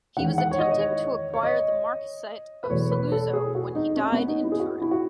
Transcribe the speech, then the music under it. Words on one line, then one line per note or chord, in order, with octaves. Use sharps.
He was attempting to acquire the marquisate of Saluzzo when he died in Turin.
E2 D#3 G#3 F#5
F#5
C#5
D#5
D#5
C#5
C#5
D#5
B4
E2 B2 F#3 A3 C#5
B4
A4
G#4
F#4
D#4
C#4
B3
D#4
E4
G#4
F#4
E4
F#4